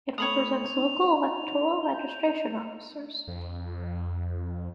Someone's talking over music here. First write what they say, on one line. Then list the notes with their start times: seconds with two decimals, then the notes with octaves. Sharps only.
It represents local electoral registration officers.
0.18 A3 C#5 B5 D#6 F7
0.76 D#4
1.83 G6
3.28 F2